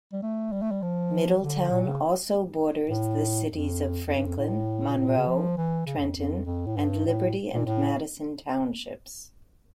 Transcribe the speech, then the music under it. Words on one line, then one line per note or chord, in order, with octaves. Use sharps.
Middletown also borders the cities of Franklin, Monroe, Trenton, and Liberty and Madison Townships.
G3
A3
G3
A3
G3
F3
D3
A#2
C#3
A2
F2
F2
G2
F2
A2
A#2
A2
A#2
C#3
F3
E3
C#3
G2
F2
F2
F2
A2
G2
A2
A#2
A2